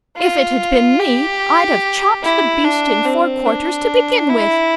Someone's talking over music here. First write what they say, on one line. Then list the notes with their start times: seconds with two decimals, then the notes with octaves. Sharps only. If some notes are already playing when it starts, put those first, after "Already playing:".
If it had been me, I'd have chopped the beast in four quarters to begin with!
0.17 F4
0.99 G4
2.23 E4
2.64 D4
3.05 C4
3.46 D4
4.29 E4